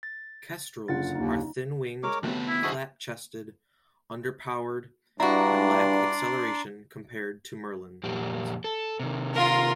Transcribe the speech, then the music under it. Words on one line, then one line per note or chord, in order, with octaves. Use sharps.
Kestrels are thin-winged, flat-chested, under-powered and lack acceleration compared to merlins.
A6
F#1 D3 F4 F#5 A6
D#2 D#4
G#3 A#4 C#5 D6
D2 C3 F#3 A3 B3 A5
E4
F#2 D3 F#4 G#4 A4 C5 D#5 E5
G2 D4 E4 F#4 D5 A#5 C6
F2 A#2 G4
A4
C3 D#3
F4 A#4